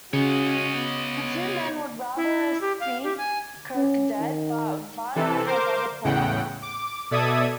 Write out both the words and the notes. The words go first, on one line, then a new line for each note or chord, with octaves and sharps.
The two men would rather see Kirk dead, but Vanna has other plans.
C#3 C#4 F#4 C#5 D#5
B3
E4
G4
F5
G4
G#5
C#4
D#3
C3 E3 A4
A#4 C5 D6
E2 A2 C#3 F#5 G5
D6
B2 A4 D5 E5 D#6 G#6